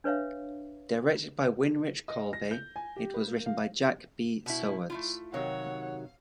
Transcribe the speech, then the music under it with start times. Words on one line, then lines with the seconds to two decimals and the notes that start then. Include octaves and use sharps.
Directed by Winrich Kolbe, it was written by Jack B. Sowards.
0.04 D4 B4 C#5 E5 F5
2.08 D#5
2.33 A#6
2.51 G6
2.76 G#5
2.96 G4
3.14 B4
3.26 A#3
3.46 F5
4.46 B2 E4
4.90 A3 E4 F4
5.33 C3 D#3 F#3 C#5 F5 F#5